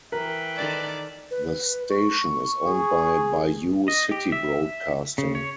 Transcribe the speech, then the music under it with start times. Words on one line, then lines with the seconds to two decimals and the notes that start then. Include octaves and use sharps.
The station is owned by Bayou City Broadcasting.
0.12 E3 A#4 B4 G5
0.56 D#3 A4 D5
1.31 B4
1.90 C#6
2.63 G#4
3.88 D#5
4.11 G4
4.32 E5
5.18 C#3
5.35 C#5